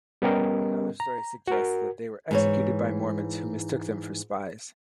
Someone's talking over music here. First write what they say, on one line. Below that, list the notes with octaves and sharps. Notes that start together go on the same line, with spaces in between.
Another story suggests that they were executed by Mormons who mistook them for spies.
G3 B3 C#4 G4 A#4 D#5
A#5
F#4 A#4
G#2 E3 C#5